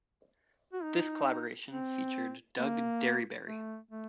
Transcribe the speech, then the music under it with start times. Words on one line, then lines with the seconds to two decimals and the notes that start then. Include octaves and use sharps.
This collaboration featured Doug Derryberry.
0.73 F#4
0.83 D#4
1.71 C4
2.59 A#3
3.47 A3
3.91 A3